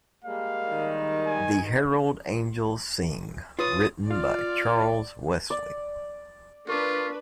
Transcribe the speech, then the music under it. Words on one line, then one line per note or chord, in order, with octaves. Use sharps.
The Herald Angels Sing written by Charles Wesley.
G3 G#3 A#3 F5
D#3
G#5
F4 B4 C#5 D#6 A6
F4 D5 F6
D5
D4 F4 A#4 B4 C#6 D6